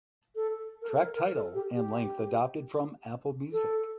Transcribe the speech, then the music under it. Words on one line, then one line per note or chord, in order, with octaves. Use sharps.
Track title and length adopted from Apple Music.
A4
A#4
A4
A#4
A#4
A4
G4
G4
A4